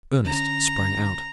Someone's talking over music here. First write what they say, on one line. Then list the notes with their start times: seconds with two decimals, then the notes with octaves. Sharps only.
Ernest sprang out.
0.24 D3 C#4 A#5